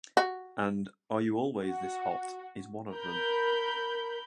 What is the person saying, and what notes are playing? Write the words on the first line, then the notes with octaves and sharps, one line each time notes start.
And "Are You Always This Hot" is one of them.
F#4
F#4
A#4 B5 G6